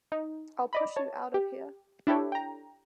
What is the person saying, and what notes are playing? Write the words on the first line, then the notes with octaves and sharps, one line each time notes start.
I'll push you out of here.
D#4
D5 D#5 B5
C#5 A5
G4
D4 E4 G4 A4 C#5
G5 A#5